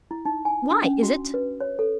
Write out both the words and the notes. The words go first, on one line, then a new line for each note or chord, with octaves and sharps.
"Why? is it--?"
E4
D#4
G#5
D4
C#4
F#4
B4
C#5
A4